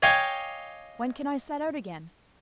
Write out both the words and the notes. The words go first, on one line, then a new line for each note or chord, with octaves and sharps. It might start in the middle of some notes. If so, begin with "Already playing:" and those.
"When can I set out again?"
C#5 D#5 F5 G5 G#5 D6